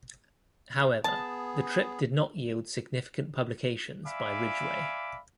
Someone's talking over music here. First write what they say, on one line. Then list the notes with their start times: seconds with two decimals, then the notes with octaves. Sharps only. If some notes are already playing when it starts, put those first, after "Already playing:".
However, the trip did not yield significant publications by Ridgway.
1.04 B3 G#4 A5
4.07 D5 E5 F5 G#5 B5 D6